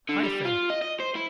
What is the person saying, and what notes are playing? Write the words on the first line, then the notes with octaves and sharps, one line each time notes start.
Hi, friend!
D3
G3
F4
D#5
D#5
C5
E4